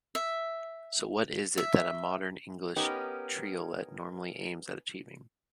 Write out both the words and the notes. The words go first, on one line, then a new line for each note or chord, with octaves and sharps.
So what is it that a modern English triolet normally aims at achieving?
E5
E5
B3 C#4 D#4 G4 A#4